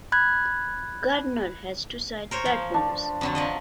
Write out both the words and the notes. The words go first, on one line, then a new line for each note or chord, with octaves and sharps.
Gardiner has two side platforms.
B5 F#6 G#6
A#4 C5 C#5
F3
D4
F2 D3 F#3
F3 F#3 D#5